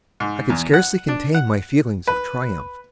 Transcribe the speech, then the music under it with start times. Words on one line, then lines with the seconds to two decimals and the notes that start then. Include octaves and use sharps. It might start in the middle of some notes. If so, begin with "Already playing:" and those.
I could scarcely contain my feelings of triumph.
0.20 G#2
0.50 E2
0.74 F#5
1.09 D4
1.35 F#5
2.07 B4